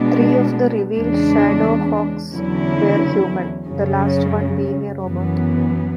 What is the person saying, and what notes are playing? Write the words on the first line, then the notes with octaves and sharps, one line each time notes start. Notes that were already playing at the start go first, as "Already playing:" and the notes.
Three of the revealed ShadowHawks were human, the last one being a robot.
Already playing: B2 G#3 B3 D4
E2 C#3 G#3 D4
E2 D3 F#3 C#4 E4
F#2 C#3 F#3 C#4
F#2 E3 B3